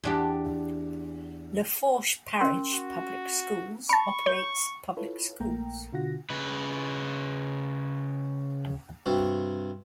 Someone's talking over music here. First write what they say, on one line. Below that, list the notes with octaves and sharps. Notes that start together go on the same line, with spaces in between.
Lafourche Parish Public Schools operates public schools.
E2 D4 G4
C#4 A#4 C6
F#4
A5 B5 C#6 C#7
C#5 G6
E4 F4 A4 B4 C#5
A#1 A3 A#3 G5 A#5
B2 D3 F4 F#4 F#5 A#6
C#3 B4
G2 C3 F#4